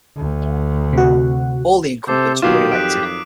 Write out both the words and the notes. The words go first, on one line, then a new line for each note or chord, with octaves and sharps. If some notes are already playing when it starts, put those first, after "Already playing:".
All the incumbents were re-elected.
D2
C3 F#4
C3 A4 C5 D6
B2 D#3 F#3 F4 G4 D#6 C7 E7
F2 F#6 B6 D7